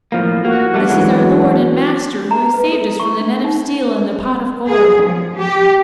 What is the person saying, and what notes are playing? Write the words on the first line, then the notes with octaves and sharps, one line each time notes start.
'This is our lord and master, who has saved us from the net of steel and the pot of gold!'
A2 F3 A#3
A#3 F#4
G3 A3 B3
E3 F#3 G#3
A#5
B4
A4
C#6
D4
D#4
G#4
F3
G4